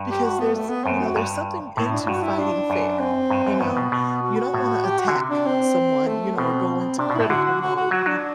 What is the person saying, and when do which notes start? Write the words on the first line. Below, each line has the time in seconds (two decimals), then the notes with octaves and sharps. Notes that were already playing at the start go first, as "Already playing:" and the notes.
Because there's you know, there's something into fighting fair, you know, you don't wanna attack someone, you know, or go into critical mode,
Already playing: G2
0.09 G4
0.24 F#4
0.40 B3
0.54 A3
0.69 B3
0.84 F#2 C4
1.01 F#4
1.16 G2
1.77 A2 E4
1.92 D4
2.07 G2 F#4
2.23 E4
2.38 D4
2.70 F#2
2.99 C4
3.30 G2
3.47 F#2
3.61 G2 B3
3.77 B2
3.92 B2
4.22 F#4
4.54 A2
4.84 G4
4.99 F#4
5.08 D3
5.15 C3
5.30 D4
5.46 C4
6.07 A3
6.37 B2 C4
6.98 C3 D4
7.10 B2
7.15 E4
7.20 A2
7.29 D3 F#4
7.45 F#4
7.60 F#4
7.76 F#4
7.91 F#3 F#4
8.06 F#3 D4